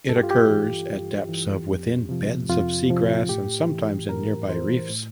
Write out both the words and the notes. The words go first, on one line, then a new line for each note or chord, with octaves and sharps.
It occurs at depths of within beds of seagrass and sometimes in nearby reefs.
G2 A4
G4
F4
G4
E3
G2
E3
F2
C3 F3
F2 F4
C3 F3
A2 G4
E3
A2 A#4
E3 C5
A2